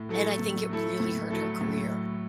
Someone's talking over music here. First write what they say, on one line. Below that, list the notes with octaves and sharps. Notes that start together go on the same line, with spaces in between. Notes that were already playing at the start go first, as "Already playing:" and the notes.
And I think it really hurt her career.
Already playing: A2
F#3 A3 E4 A4
A2
F#3 A3 E4 A4
A2
F#3 A3 E4 A4
A2